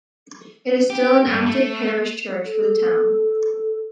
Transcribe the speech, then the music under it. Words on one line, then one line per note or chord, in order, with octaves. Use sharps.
It is still an active parish church for the town.
G4
G2
A3
A4